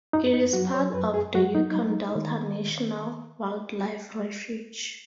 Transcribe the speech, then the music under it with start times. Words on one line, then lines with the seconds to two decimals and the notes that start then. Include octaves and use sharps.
It is part of the Yukon Delta National Wildlife Refuge.
0.13 F#2 D#4
0.34 D#4
0.53 F#3 F#4
0.74 C#5
0.94 F#2 B4
1.14 G#4
1.35 F#3 F#4
1.55 D#4
1.75 G#3
2.15 D#3